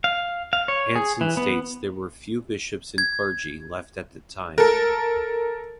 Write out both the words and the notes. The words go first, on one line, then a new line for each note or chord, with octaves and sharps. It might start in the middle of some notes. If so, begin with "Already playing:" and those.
Anson states there were "few bishops and clergy" left at the time.
F5
F5
C#5
G#4
E3
B3
G#6
A4 A#4